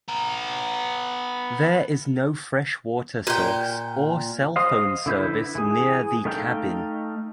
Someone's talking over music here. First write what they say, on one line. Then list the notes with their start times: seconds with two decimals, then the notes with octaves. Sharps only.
There is no freshwater source or cell phone service near the cabin.
0.08 B3 A#5
3.27 A#2 G5
4.56 C5 D#5 F5
5.06 D3 E4 B4 G6
5.55 E3 G#4
6.25 A3 D#4 F5 G5